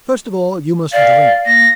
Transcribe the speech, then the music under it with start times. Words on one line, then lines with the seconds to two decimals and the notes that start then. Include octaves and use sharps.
"First of all you must drink!"
0.93 D5 F5
1.46 A#3 A#6